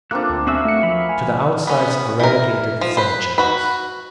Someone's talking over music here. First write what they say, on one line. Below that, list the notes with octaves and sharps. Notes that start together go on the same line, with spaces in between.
To the outsides are relegated the semichannels.
A#3 C4 D4 F4 A4 F#6
D2
C4 F#4 G#4 E5 C#6 E6
A3 F#4 C#7
F3 F5 F#5 B5
G#5
B3 C#4
E3 A#4
F3
B4 C5
F#4 B4